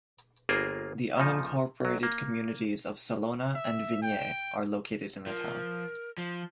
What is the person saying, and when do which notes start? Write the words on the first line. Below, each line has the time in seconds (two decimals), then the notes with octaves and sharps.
The unincorporated communities of Salona, and Vignes are located in the town.
0.49 G1 A#3 F4 G#4 A#4 C5
1.17 A#2 C#3 F3 D#4
1.80 B1 F#3
2.03 A#3
3.54 E5
4.02 G5
5.27 F3 A#4
6.18 F3